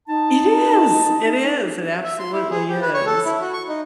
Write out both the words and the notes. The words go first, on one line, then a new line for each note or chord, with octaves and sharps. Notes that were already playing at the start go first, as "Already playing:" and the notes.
It is, it is, it absolutely is.
D#4 A5
E5
C6
E4
G#4
G4
B4
C#5
A4
E4
F#4
C#6
D#4